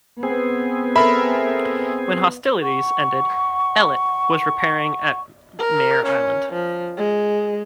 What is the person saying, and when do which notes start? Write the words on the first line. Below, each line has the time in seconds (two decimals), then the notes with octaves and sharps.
When hostilities ended, "Ellet" was repairing at Mare Island.
0.23 B3 C4 G#4
0.96 A4 A#4 E5 B5
2.60 F#5 C#6
5.59 A#4
6.05 C#4
6.53 F3
6.97 G#3